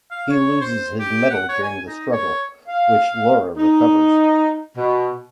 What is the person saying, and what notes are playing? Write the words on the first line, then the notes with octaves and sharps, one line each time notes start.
He loses his medal during the struggle, which Laura recovers.
F5
C#5
C5
G4
F#5
C#5
G#5
D#4
C#5
F5
D#4
B2